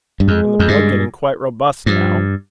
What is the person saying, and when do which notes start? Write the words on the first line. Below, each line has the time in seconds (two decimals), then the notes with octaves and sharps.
And the boy getting quite robust now!
0.20 G2
0.28 F2 G#3
0.59 F2
0.68 G2
1.86 G2 F3